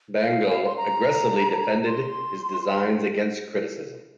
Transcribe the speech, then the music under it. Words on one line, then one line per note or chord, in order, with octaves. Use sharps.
Bangle aggressively defended his designs against criticism.
F5
F5
C6
A#5
C6